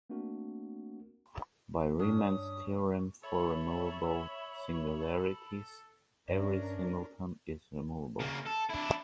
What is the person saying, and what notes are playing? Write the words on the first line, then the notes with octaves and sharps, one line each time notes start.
By Riemann's theorem for removable singularities, every singleton is removable.
A3 A#3 C4 D4 F#4 A#4
G2 C#4 D4 G4 C#5 D#6
A4 C#5 E5 B5
A4
G2 C#4 D4 A#4 D5 E5
C#3 A#3
A4
D4 E4